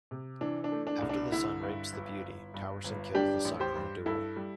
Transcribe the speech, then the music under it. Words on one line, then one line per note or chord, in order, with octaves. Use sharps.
After the son rapes the beauty, Towerson kills the son in a duel.
C3
E3 D4
D4
A3
D4
C2
D4
D3 E4
G2
G1
G1
G2
G1
G3 D4 G4
A1
G4 C5
G2
G2 E4 A4
G3